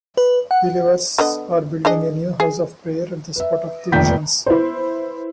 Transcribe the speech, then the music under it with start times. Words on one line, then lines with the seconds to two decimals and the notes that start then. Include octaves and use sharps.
Believers are building a new "House of Prayer" at the spot of the visions.
0.17 B4
0.51 F#5
1.18 D3 B3 D#5
1.85 D4 G#4 D#5
2.40 G#4
3.36 B4 E5
3.92 F1 A#1 D#2 G5 G6 B6
4.46 E4 B4 C5